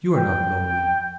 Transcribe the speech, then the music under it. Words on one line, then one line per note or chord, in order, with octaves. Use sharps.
You are not lonely.
G5